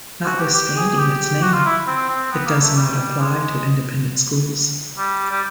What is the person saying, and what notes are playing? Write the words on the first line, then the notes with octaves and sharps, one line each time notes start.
Notwithstanding its name, it does not apply to independent schools.
F#4
G4
G4
G#4
G4
F#4
F4
E4
C4
C4
B3
A#3
A3
G3
G#3
G3
G3